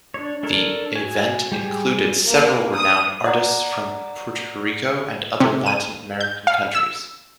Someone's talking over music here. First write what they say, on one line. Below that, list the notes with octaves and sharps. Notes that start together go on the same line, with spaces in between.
The event included several renowned artists from Puerto Rico and other Latin American countries.
D4 C#5
D4 A4 A#4 C#5
F#4 G#5
G3 G4 G#4
A#3
D#6
D5 F#5 A#5
C3
D#7
G6
F5
E6